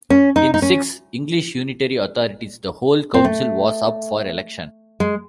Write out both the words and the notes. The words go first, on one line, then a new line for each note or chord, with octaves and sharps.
In six English Unitary authorities, the whole council was up for election.
C#4
D#4
D#4
C#4
C4
A3
G#3